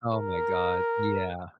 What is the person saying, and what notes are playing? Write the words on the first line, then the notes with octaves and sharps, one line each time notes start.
Oh my god. Yeah.
A#4